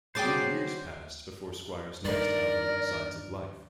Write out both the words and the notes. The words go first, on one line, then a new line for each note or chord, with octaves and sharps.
Two years passed before Squier's next album Signs of Life.
F#3 G3 F#4 G#4 C5 G5 D6 A6
G2 D#3 A#4 D5